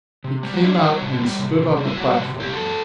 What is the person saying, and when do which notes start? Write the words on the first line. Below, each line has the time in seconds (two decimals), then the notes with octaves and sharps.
He came out and stood on the platform...
0.24 C3
0.43 G3
0.54 F#4
0.63 D4 E4
0.74 F#4
0.81 G3
1.02 C3
1.20 G3
1.39 C3
1.59 C3
1.77 G3
1.85 E4
1.97 G3 F#4
2.11 F#4
2.16 C3
2.34 C3
2.40 E4 G4
2.54 F#2 F#4 A4